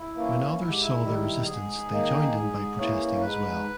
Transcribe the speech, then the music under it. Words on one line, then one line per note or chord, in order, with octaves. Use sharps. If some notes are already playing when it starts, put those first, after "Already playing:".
When others saw their resistance they joined in by protesting as well.
Already playing: E4
E3 A#3 C#4
G#2 E4
G4
E4
D#3 G3
G#2 G#4
D#3 A#3 D#4
G#2
E3 A#3 C#4
G#2 B4